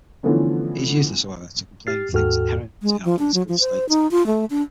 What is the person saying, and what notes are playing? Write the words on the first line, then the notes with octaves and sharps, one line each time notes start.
It is useless however, to complain of things inherent in our political state.
D3 E3 F3 A3 B3 C#4
G4 F6 A6 C7
D#2 G#2 F#4 A4 G5 F6
G#3
F3
D4
F#3
F3
C5
D#4
F4
A3
D4